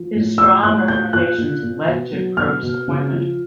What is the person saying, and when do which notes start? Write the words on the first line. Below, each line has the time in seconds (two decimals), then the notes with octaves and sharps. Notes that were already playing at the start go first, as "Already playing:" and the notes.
His strong recommendations led to Croke's appointment.
Already playing: F3
0.14 A2
0.38 F3 E6
0.63 A2 F#6
0.88 A#2 G6
1.13 A#2 F#6
1.38 A#2
1.62 A#2
1.87 B2
2.13 F#3
2.37 B2 F6
2.63 B2
2.88 C#3
3.13 F3